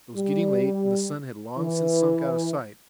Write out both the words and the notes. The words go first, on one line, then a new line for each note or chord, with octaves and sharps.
It was getting late, and the sun had long since sunk out of sight.
G3
E3